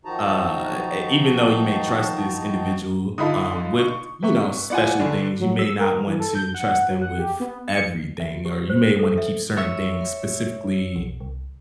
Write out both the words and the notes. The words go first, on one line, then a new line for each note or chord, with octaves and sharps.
uh, e even though you may trust this individual, um, with, you know, special things, you may not want to trust them with everything, or you may want to keep certain things specifically,
D#3 F3 D#4 F#4 A5 A#5
D3 D#4 F4 A5 B5 D#6
C#6
C3 B4 E5 C#6
B3 E4 F4 D5 F#5 G#5
G2 D3 D4
F#3
E6
A#4
E3
A4
G6
F#5
F#3
F#5
G4
B3
C#7
E5
G4
C5
A4
E5
C#5 E5
B1
C2